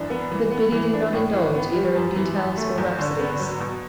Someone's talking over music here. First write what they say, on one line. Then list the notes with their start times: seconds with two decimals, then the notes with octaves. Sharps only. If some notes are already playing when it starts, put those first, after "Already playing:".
But Biddy did not indulge either in details or rhapsodies.
Already playing: F#2 E3 D4
0.10 B3
0.32 E3
0.51 B3
0.72 E3
0.93 D4
1.13 A2
1.33 E3
1.55 B3
1.75 G3
1.95 F#2
2.16 E3
2.36 F#2
2.57 A3
2.78 E2
2.98 D3
3.19 B3
3.39 F#3
3.60 B2